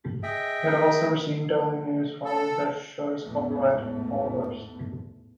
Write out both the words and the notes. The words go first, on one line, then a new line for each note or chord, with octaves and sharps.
It also received early news from the show's copyright holders.
G#4 D#5 E5 G5
A4
A1 E2 G#2 A3 B3